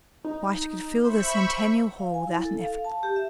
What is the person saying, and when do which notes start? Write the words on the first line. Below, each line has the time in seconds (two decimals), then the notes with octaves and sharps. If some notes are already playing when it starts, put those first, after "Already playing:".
Why, she could fill the Centennial Hall without an effort.
0.24 D#4
1.05 C5 E5 B5 C#6
1.99 F5
2.14 G#5
2.27 E4
2.45 A4
2.61 F5
2.85 A5
3.03 G4
3.16 E5